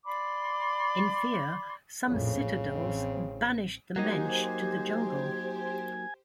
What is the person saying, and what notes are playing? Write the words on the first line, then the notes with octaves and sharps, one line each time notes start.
In fear, some citadels banished the mensch to the jungle.
D5 B5 C6 D6
A#1 F2 A2 C#3
A1 C4
F#3 A#3 D#4 G4 C5 G#5